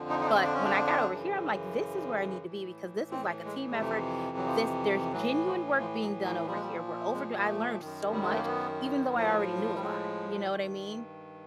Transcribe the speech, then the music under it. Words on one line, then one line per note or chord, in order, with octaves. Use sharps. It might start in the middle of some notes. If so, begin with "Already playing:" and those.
But, when I got over here, I'm like, "This is where I need to be because this is like a team effort. This there's genuine work being done over here. We're overdue." I learned so much, even though I already knew a lot. You know what I mean?
Already playing: F2 D3 F3
D#4
D#4
D4
D4
C#4
D4
F#2 C#3 E3
A2 E3
C4
G#3
G#3
F2 C3 E3 A3
F#3
F3
A2 E3 F#3
F3
F3
F#3
F#3
A#2 F3 G3 G#3
G3
G#3
A#3
A3
F#2 D#3
G3
G#3
A3
A#3
B3
A2 F3 A#3
G3
G#3
G2 D#3